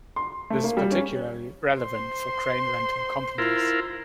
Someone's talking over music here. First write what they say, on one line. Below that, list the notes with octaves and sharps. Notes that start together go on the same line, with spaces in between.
This is particularly relevant for crane rental companies.
C6
A3
A#3
G3
C#4
C5 C6
E4 F4 A#4